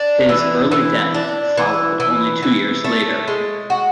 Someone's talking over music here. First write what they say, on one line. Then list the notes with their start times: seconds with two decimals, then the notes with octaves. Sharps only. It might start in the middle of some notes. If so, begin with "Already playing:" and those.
His early death followed only two years later.
Already playing: D4
0.29 E3
0.72 E3
1.14 D4
1.57 E3
2.00 E3
2.42 E3
2.84 A3
3.28 G#3
3.70 F#4